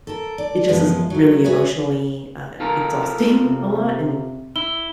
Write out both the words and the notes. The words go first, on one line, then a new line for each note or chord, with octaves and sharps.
It just is really emotionally, uh, exhausting a lot, and,
A4 A#4
D5
F#2 E3 F3 G#3 B3
F#3 A3
F#4 G#4 B4 C#5 E5
F4 A4 A#4
C3
E4 G7